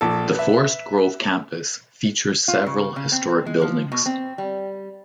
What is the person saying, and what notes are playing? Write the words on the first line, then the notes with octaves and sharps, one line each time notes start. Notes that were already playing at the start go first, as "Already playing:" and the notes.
The Forest Grove Campus features several historic buildings.
A#1 A#2 A4
B4 E5
F4
C#3
C#3
C4
G#3
F3
B2
C4
G3